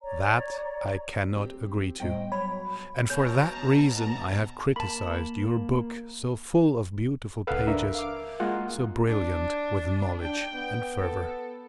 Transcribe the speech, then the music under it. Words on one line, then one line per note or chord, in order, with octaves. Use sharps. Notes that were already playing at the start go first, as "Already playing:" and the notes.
That I cannot agree to; and for that reason I have criticised your book, so full of beautiful pages, so brilliant with knowledge and fervor!
C#5 D5 A#5
C4 G4
A2 G3 B3 C5 D#5 G5
F#3 C#5 B5
B2 C#4 A5 A#5 G6
A#3 A5 B5
C#2 A4 B4 F5 F#5
D4 A#4 E5
F5 D6
G#3 A#3 F4 F#5
D4
D4 G5
B3
A4